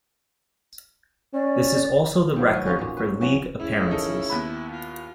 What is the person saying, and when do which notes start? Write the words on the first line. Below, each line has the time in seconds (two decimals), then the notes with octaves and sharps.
This is also the record for League appearances.
1.34 C#4 D5
2.36 D#3 F3 F#3
2.54 F#3 B3
2.66 C#4 D#4 F4 F#4
2.79 A#2 C#5
2.97 F#4 B4
3.21 C#3 E3 F#3
3.60 C#3 E4
3.91 D#4 A4 A#4
4.30 D#2 B3 B5
4.71 F4